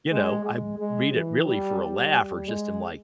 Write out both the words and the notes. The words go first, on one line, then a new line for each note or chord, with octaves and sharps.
you know, I read it really for a laugh or just I'm, like,
G#3
G#3
G#3
E3
G3
G3
G3
G#3